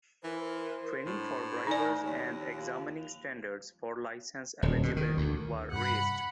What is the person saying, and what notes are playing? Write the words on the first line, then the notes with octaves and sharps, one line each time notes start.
Training for drivers and examining standards for license eligibility were raised.
E3 A#4 C5
A2 D4
E3 D#4 D5 G#5
D#2 C#5
F4 G4
D#1
B2
D#3
D2
G2 C3 F#5 B5